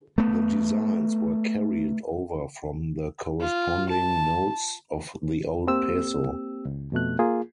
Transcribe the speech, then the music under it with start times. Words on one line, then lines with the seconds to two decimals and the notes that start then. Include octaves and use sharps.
The designs were carried over from the corresponding notes of the old peso.
0.18 A3 B3
3.41 F4
3.89 A5
5.67 A#3 C4 G4 E6
6.65 C#2
6.92 F2 B2 A3 F#6
7.19 A#3 F4 G#4